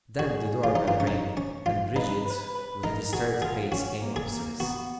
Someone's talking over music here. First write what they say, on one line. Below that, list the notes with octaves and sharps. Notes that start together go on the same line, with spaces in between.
Then the door bell rang, and Bridget, with a disturbed face, came up stairs.
F#4 G#4
F4
D#4
F4
C#4
D#4
C#4
F4
D#4 B4
B4
B4
D#4 A#4
F#4 G#4
F4 G#4
C#4 F#4
A#3
G#4
A#3
B3 F#4